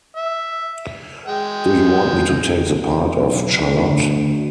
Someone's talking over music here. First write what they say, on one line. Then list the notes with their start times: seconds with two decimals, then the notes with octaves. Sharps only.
Do you want me to take the part of Charlotte?
0.16 E5
1.28 G#3 G5
3.18 B1
3.71 D2